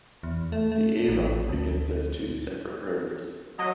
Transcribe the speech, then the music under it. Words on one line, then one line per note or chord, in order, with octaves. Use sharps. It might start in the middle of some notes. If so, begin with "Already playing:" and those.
The Avon begins as two separate rivers.
E2
A3
A3
A1
D2
F#3 D#5